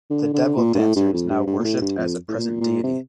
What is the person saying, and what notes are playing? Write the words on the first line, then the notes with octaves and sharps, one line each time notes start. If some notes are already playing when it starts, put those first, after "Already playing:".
The devil-dancer is now worshipped as a present deity.
D3
D3
A#2
G2
A2
G2
F2
G2
G2
A#2
A2
G2
F2
A2
A#2
A#2
C3